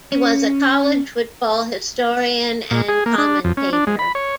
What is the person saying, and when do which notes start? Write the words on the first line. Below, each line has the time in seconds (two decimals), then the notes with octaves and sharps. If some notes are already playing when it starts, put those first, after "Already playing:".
He was a college football historian and commentator.
0.12 C#4
2.71 A#2
2.89 G#4
3.06 A#3
3.18 D4
3.44 F2
3.57 C#4
3.73 D4
3.87 G#3
3.99 B5
4.15 C#5